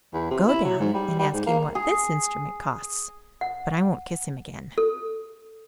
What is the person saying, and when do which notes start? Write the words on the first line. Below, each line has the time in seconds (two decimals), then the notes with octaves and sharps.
Go down and ask him what this instrument costs; but I won't kiss him again.'
0.13 E2
0.31 C3
0.48 E4
0.65 F#3
0.80 G#2
0.94 G3
1.19 G3
1.34 G#2
1.47 A#3
1.75 G#4
3.41 F#5
4.78 A4